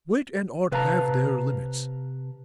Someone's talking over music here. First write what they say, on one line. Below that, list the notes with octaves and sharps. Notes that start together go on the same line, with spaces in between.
Wit and art have their limits.
C3 B4 F5 A5 A#5